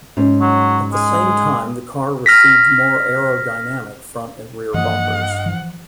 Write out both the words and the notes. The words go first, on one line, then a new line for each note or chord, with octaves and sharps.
At the same time the car received more aerodynamic front and rear bumpers.
G#2 C#4
F#3
G#3
F6 A#6 B6
G2 E3 F3 A#3 D#5 F#5
E3 F3